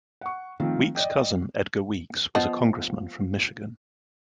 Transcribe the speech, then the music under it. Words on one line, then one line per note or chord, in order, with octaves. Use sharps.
Weeks's cousin, Edgar Weeks, was a congressman from Michigan.
F#5 C#6
D#3 F3 A3 C4 F4
D5 D#5 G5
F3 B3 D#5